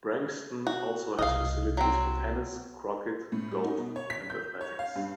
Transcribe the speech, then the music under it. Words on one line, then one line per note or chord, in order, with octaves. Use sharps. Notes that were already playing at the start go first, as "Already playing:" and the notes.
Branxton also has facilities for tennis, croquet, golf and athletics.
F#4
C2 B2 D#5 F5
F#3 C4
A2
G3
D#4
B2
C#5
B6
G6
C#5
F5
G2